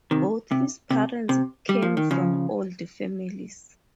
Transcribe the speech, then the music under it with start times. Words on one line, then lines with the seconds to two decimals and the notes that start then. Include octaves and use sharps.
Both his parents came from "old" families.
0.11 C3 D#3
0.51 C3
0.91 C3
1.29 C3
1.69 G3
1.82 F3
1.97 D#3
2.11 C#3 F3